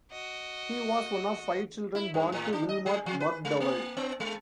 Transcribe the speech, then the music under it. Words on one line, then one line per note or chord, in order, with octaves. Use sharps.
He was one of five children born to Wilmot McDowell.
F#4 D#5
E4
G2
A2
D4
D#5
G3
F3
B4
G#3
A#3
B3
G#3